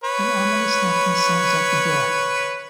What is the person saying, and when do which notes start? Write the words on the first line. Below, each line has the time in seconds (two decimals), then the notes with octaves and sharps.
An ominous knocking sounds at the door.
0.04 B4 C#5